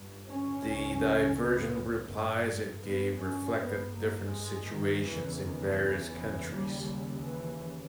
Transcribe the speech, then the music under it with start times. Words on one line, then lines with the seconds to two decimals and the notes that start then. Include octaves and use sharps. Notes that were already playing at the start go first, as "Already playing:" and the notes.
The divergent replies it gave reflected different situations in various countries.
Already playing: G2
0.28 C#4
0.65 C#2 C#3
1.39 B3
2.11 G2
2.86 B3
3.21 C#4
3.58 G2 B3
3.95 A#3
4.31 G#3
4.68 D#3
5.05 E2 C#3 E3
5.41 D#3
5.78 E3
6.15 E3
6.52 D#2 C#3 G3
6.89 G3
7.25 E3